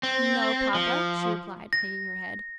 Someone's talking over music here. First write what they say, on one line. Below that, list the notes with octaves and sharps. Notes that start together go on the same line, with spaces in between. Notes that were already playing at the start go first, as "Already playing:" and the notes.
"No, papa," she replied, hanging her head.
C4
F3
A#6